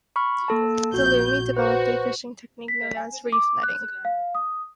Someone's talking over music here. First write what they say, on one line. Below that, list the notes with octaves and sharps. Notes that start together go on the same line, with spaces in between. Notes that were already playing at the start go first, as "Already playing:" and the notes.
The Lummi developed a fishing technique known as reef netting.
B5 C#6 F6
A#3 A4 A5
A#1 F#4 G6
F#4 B4 C5
B6
G#5
D6
F#6
F5
D#6